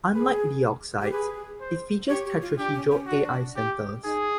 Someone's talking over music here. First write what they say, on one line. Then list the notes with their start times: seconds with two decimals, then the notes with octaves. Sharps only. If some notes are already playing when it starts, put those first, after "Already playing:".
Unlike the oxides, it features tetrahedral Al centers.
0.14 G#4 B4
1.02 G4
1.12 G#4 B4
1.61 C5
2.09 G4 C#5
2.25 G4
2.42 F4
2.58 D4 G4
2.74 C#4
2.91 C#4
3.07 D4 F#4
3.56 G4
4.04 D#4 G#4